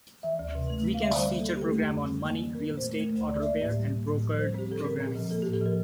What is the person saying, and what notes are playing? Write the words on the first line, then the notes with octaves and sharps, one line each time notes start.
Weekends feature programs on money, real estate, auto repair and brokered programming.
E3 E5
D2
C3
A3
C4
F5
D3 E5
D5
G3 C5
A#3
A4
D3
G4
A3 A4
F2
D3
G3
A#3
E3
C4 A#4
A#2
C5
A3
A3 A#4
D2 C5
D3 D5
E5
A#3 D5
A2
G3
A#3
A2
F3
G3 C5
C4 G4
D3 A4
C4 A#4
A#2
F3
A#3 A4
A2 G4
A4
F3 A#4